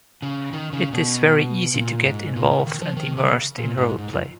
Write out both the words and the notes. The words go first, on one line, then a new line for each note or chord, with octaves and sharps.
It is very easy to get involved and immersed in role-play.
C#3
D#3
C#3
B2
A#2
G#2
A#2
C#3
D#3
F3
D#3
C#3
A#2
G#2
G#2
F2